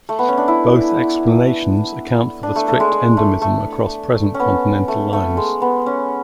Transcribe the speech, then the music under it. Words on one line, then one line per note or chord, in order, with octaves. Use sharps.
Both explanations account for the strict endemism across present continental lines.
A3
B3
C#4
D4
E4
D4
A3
A3
G#3
G#3
A3
A3
C#4
B3
A3
A3
G#3
B3
C#4